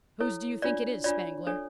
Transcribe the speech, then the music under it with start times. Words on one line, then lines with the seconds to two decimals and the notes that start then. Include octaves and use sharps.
"Whose do you think it is, Spangler?"
0.20 E4 A4 C#5
0.62 D4 F4 C#5 D5
1.04 D4 F4 C#5 D5
1.47 D4 A4 C#5